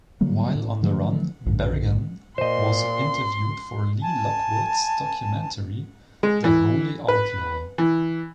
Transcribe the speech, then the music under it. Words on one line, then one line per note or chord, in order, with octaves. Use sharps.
While on the run, Berrigan was interviewed for Lee Lockwood's documentary "The Holy Outlaw".
D3 F#3 G3 A#3
A2
D3 F3 F#3 A3
A#1 F#2 A#2 D3
A#2 C5 D#5 C6
G#5 A5
G#3
E3
B4
E3